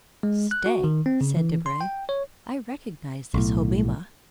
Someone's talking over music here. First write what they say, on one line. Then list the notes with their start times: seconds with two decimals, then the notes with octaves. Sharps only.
"Stay," said Debray; "I recognize this Hobbema."
0.23 G#3
0.51 F#6
0.66 F#4
0.84 D#3
1.06 C4
1.21 C#3
1.37 E3
1.66 C6
1.81 G5
2.09 C#5
3.34 B1 A2